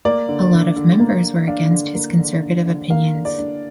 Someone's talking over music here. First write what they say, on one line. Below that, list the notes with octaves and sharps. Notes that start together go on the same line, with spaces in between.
A lot of members were against his conservative opinions.
A#3 D5
D3
D4
D3
A#3
D3
D4 F5
D3
A#3
D3
D4
D3
A#3 F5
D3
D5
D4